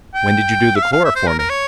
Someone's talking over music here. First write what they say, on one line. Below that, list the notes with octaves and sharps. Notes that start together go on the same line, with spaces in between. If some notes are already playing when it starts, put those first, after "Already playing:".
"When did you do the chloroforming?"
G5
E5
F5
F5
E5
C5
A#4
A#4
C#5